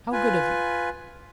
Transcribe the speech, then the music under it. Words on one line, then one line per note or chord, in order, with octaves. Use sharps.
How good of you!
F4 B4 G#5